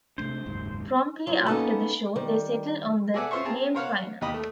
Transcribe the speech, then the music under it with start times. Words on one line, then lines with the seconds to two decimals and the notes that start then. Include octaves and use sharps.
Promptly after the show they settled on the name Final.
0.18 C3 A3 D4 C5
0.46 F#1 D#2 G#2
1.27 G2 F#3
1.48 A#3 B3 C#4 D#4 A4
2.16 D#3 G3
3.14 G#4 A4 D5 E5 F#5 G#5
3.31 C#4 F4 C5 E5 C#6
3.45 C4 G#4 A5 A#5
3.75 A#4 C5 C#5 F5 F#5
4.21 D#2 G4 D#5 B5
4.34 A3